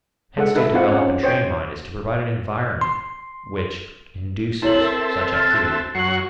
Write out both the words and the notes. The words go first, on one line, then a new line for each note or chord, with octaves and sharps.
Hence to develop and train mind is to provide an environment which induces such activity.
G#3 A4 F#5
D#4 A4 B4 E5
C4 F4 F#5
C#4 F#5
C5 C#5 G5
C6
C4 E4 A4 C#5 E5 F#7
A#4
F6 A6
F#6
F#2 F#3 C#6 C7 F#7